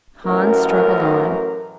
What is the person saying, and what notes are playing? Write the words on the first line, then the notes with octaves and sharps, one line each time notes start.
Hans struggled on.
A1 F#2 A#4